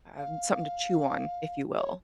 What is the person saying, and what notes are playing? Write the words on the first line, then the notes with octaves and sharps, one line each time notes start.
um, something to chew on, if you will.
F5
C#5